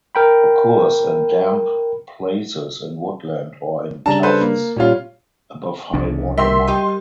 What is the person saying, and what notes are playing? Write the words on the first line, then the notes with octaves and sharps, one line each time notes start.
Occurs in damp places in woodland or in tufts above high water mark.
A#4 G5 B5
C#3 G3 D4 A5 A#5
A4 B4 C5
A#3
A#2 G3 C#4 F4
C2 C#3 D4
G3 A#4 E5 G5 C6
G3 G4 D#5 C6